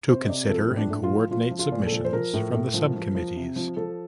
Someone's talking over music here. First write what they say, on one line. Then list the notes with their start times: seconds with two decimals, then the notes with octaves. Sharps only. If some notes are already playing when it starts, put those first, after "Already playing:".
To consider and coordinate submissions from the sub-committees.
0.08 C3 C5
0.24 D#5
0.29 C3 D5
0.49 F3 A4
0.70 A2
0.77 D4
0.90 A2
1.03 F4
1.11 F3
1.31 F3 F4
1.51 F3
1.59 F4
1.72 A#2
1.86 A4
1.92 F3
2.05 C5
2.13 F3 A#4
2.34 A2
2.54 A2
2.74 F3
2.95 F3
3.15 F3
3.36 C3
3.56 F3
3.77 F3 A4